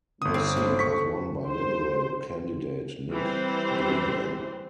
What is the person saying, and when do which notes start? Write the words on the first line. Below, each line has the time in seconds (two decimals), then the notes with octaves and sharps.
The seat was won by Liberal candidate Nick Duigan.
0.22 G1 D2 D#6
0.34 C4
0.57 D3 G#3 A3
0.79 C#6 B6
1.48 C5
3.11 E3 G3 C4 C5